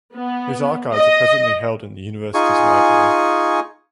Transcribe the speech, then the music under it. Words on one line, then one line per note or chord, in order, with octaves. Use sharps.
His archives are presently held in the university's library.
B3
D#5
D#4 F4 G#4 G#5 C#6